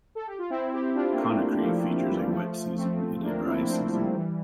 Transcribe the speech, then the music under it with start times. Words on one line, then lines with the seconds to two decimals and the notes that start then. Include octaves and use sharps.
Conakry features a wet season and a dry season.
0.15 A4
0.27 G4
0.39 F4
0.50 C4 E4
0.73 E4 G4
0.95 D4 F4
1.13 A#3
1.18 A3 C4
1.60 A#3
1.64 F3 A3
1.86 F3 A3
2.09 E3 G3
2.32 F3 A3
2.78 A3 C4
3.23 A#3 D4
3.46 C4 E4
3.69 A3 C4
3.84 C4
3.92 G3 A#3
4.15 E3 G3